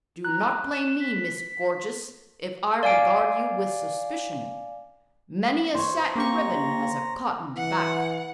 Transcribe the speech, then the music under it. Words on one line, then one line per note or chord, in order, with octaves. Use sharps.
"Do not blame me, Miss Gorgeous, if I regard you with suspicion. Many a satin ribbon has a cotton back."
A#5 F#6
E7
B6
D5 F5 G#5 D7
C5 C#5
A#3 G4 A#5 C#6
E3 F#5